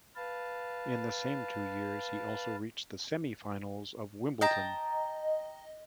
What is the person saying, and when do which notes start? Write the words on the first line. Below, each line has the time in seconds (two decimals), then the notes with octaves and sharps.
In the same two years, he also reached the semi-finals of Wimbledon.
0.16 B4 F5 A5
4.41 D#5 G5 A5 A#5